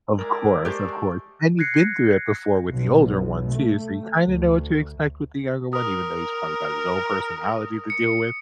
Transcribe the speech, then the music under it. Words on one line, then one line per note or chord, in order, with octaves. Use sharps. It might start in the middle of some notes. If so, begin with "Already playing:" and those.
Of course, of course, and you've been through it before with the older one too, so you kinda know what to expect with the younger one, even though he's probably got his own personality to deal with.
G#3 E4 A#4 D5
A3 G4 C5
F#6 G#6 A#6 C7 C#7
B1
A3
D2
A#4 D#6
C#7